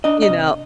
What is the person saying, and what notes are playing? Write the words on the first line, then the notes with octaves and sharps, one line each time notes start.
you know
D4 D#5
D#5
C3